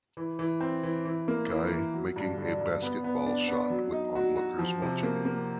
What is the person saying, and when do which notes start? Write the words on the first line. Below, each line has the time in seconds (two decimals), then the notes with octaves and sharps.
Guy making a basketball shot with onlookers watching.
0.17 E3
0.39 E3
0.60 C4
0.83 E3
1.05 E3
1.28 A#3
1.49 E3
1.72 E3
1.94 F#3
2.16 G2
2.38 D3
2.61 G2
2.82 B3
3.04 B3
3.26 D4
3.48 B3
3.70 F#3
3.92 D#4
4.16 F#4
4.37 F#4
4.59 F3
4.82 C3
5.03 A#3
5.25 A#3